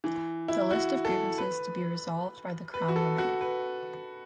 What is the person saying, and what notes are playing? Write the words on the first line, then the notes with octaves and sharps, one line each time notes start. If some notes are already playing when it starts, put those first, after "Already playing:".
The list of grievances to be resolved by the Crown were many.
E3
E4
F#4
A4
B4
B4
F#4
A4
F#4
B4